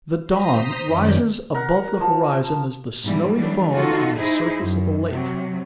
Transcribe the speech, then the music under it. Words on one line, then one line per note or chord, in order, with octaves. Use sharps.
The dawn rises above the horizon as the snowy foam on the surface of a lake.
C5 A#5 D#6 B6
F#2 D#3 C#4 D5 G6
A#4 F#5
F3
G#2 B2 E3 G3
E3 F#3 G3 A3 D4
D#4 F4 F#4 A4
D#4 E4 G#4 C5
F#2
C3 F#3